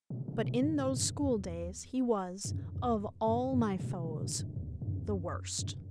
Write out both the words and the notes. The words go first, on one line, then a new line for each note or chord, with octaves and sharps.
But in those school-days he was, of all my foes, the worst.
A#2
B2
A#2
G2
G2
F#2
E2
G2
F#2
E2
F#2
G2
B2
A#2
G2
F#2
E2
G2
F#2
E2
F#2
F#2